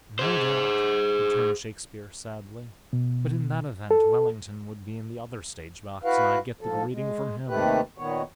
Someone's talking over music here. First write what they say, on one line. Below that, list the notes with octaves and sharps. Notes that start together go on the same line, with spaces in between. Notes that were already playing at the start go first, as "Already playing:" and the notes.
"No doubt," returned Shakespeare, sadly; "but in that event Wellington would be in the other stage-box, and I'd get the greeting from him."
G#4 C5
B2
A4
E4 F#4 B4 F5
G#2 F3 A4
G#3
D#2 C3 D#3 A3 G4 B4
A#2 D#3 B3 C#5